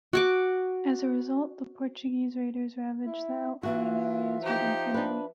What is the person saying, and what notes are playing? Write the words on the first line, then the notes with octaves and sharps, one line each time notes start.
As a result, the Portuguese raiders ravaged the outlying areas with impunity.
F#4 C#6 D6
E4
E3 F4 F#4 E5
F3 D#4 G4
D4 B4